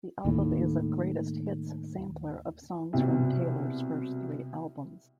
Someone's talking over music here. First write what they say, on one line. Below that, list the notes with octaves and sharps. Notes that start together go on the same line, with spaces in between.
The album is a "greatest hits" sampler of songs from Taylor's first three albums.
D#2 A2
C2 B2